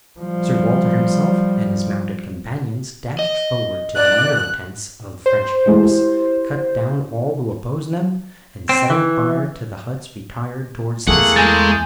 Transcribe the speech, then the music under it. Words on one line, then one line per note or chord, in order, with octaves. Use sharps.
Sir Walter himself and his mounted companions dashed forward to the nearer tents of the French camps, cut down all who opposed them, and setting fire to the huts retired towards the city.
F3 G3
D#5
D5 F#6
C5
E3 G#3 A3
E4 G4
C4
E3
E2 A3 A#3 G#4 F#5
G#3 G#5 G6 A6